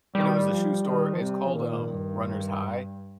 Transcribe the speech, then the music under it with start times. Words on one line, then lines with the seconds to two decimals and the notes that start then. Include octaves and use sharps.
and it was a shoe store, it's called, um, Runner's High,
0.15 D#3 G3
0.50 F3
0.85 D#3
1.13 F3
1.20 C3 G3
1.46 F3
1.55 A#2 D#3
1.91 G2